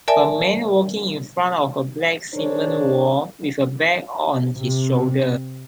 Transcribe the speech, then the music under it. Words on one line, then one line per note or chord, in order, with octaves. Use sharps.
A man walking in front of a black cement wall with a bag on his shoulder.
A#4 D5 E5 G#5 A5
D4 G#4 A#4 C5 C#5
C3